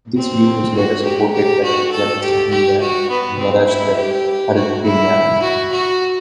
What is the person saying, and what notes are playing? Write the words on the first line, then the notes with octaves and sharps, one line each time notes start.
This view was later supported by Alexander Sahinian and Varazdat Harutyunyan.
C4
F#4
G4
G4
F#4
A4
G4
G4
F#4
B3
C4
E4
G4
F#4
E4
F#4
F#4